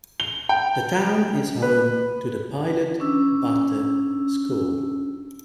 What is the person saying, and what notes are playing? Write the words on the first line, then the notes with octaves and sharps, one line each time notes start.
The town is home to the Pilot Butte School.
G7
G5
B4
C#4 D4 E6